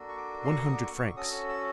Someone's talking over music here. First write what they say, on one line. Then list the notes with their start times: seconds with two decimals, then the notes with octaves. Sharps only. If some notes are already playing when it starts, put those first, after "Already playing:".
"One hundred francs!"
Already playing: A#3 D4 F#4 A4
0.08 C#6
0.17 D6
0.45 C6
0.50 C#6
0.64 D#6
0.73 D6
0.83 C#6
1.16 C#4 F#4 A4 D#6
1.32 E6
1.49 E6